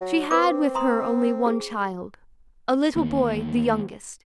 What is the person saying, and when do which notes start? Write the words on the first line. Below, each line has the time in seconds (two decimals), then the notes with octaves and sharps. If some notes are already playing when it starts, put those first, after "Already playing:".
She had with her only one child, a little boy, the youngest.
0.01 F#3
0.31 C4 B4 D6
0.75 A#5 C6 D#6
1.46 G#4
2.96 E2 D#3 A#3